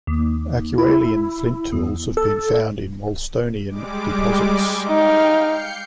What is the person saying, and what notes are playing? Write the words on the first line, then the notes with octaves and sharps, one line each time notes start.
Acheulian flint tools have been found in Wolstonian deposits.
D#2
E4
E2
A4
G3 G#3 D6
D#4 F5 G5 F6
G6 C7 C#7